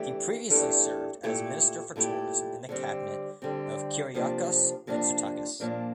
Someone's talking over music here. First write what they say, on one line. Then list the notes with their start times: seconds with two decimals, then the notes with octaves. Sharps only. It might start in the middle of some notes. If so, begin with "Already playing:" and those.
He previously served as Minister for Tourism in the Cabinet of Kyriakos Mitsotakis.
Already playing: E2 E3 A3 D4 G4
0.50 E2 E3 A3 D4 G4
1.23 A#2 A3 E4 G4
1.96 A#2 A3 E4 G4
2.69 D3 G3 C4 G4
3.42 D3 G3 C4 G4
4.15 C3 F3 A#3 D4
4.87 C3 F3 A#3 D4
5.60 A#2 F3 A#3 D4